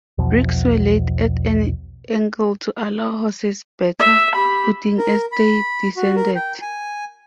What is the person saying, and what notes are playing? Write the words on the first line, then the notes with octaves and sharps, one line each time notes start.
Bricks were laid at an angle to allow horses better footing as they descended.
B1 E2 B2 F3
E5
G4 B5
A#4
B5
F#4
A#4
G5
G#5